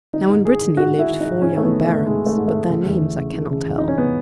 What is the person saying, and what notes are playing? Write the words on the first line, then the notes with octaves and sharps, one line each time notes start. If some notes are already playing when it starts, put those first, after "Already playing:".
Now in Brittany lived four young barons, but their names I cannot tell.
D#3 D#4
G#2
G#2 G#4
D#3
G#2 F#4
G#2
E4
D#3
D#4
G#2
G#2 C#4
D#3 A3
B3
D#3
A3
G#2
G#2 G#3
D#3 A3
G#2
A3
D#3
C#3
E2
E2
C#3
E3
C#3
E2
E2 D#4
C#4
C#3 B3